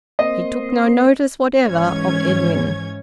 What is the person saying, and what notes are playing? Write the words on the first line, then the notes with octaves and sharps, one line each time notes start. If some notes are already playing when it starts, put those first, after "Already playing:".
He took no notice whatever of Edwin.
A#3 C4 D#5 C6
G#2 E3 C#4 C#5 G#6